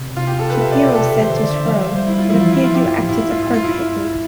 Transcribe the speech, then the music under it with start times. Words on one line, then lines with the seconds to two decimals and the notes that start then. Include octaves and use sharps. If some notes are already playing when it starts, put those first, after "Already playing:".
Shapiro said to Sgro, It appears you acted appropriately.
Already playing: C3
0.16 F4
0.27 G4
0.39 A4
0.50 B4
0.61 B2 E5
0.72 D5
0.83 C3 G4
0.95 A4
1.06 B2 E5
1.21 E3 C5
1.29 D3
1.36 D5
1.51 D3 E5
1.65 F3 F5
1.74 G3
1.82 E5
1.96 G3 C5
2.07 E4
2.19 F4
2.30 E3 E4
2.40 F3 F4
2.52 E4
2.64 F4
2.75 G4
2.86 G2 F4
3.01 A2
3.09 E4
3.31 G2 F4
3.43 A2 F4
3.53 G2 F4
3.64 E4